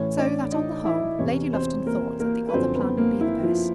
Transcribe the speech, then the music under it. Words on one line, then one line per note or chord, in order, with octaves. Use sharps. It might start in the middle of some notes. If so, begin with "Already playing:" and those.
So that on the whole Lady Lufton thought that the other plan would be the best.
Already playing: A2 E3 C#4 C#5
D4 D5
D#4 D#5
E4 E5
E2 C3 E3 C#4 C#5
C4 C5
A#3 A#4
A#3 A#4
B4
F#2 D3 F3 C4 C5
B3 B4
A#3 A#4
E4
F3 F4